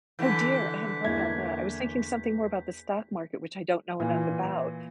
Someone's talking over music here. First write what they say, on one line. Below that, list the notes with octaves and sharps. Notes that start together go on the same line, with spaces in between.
oh dear, I hadn't thought about that, I was thinking something more about the stock market, which I don't know enough about.
D3 E3 G6 B6
E2 A#3 E5 G#6
A#2 E3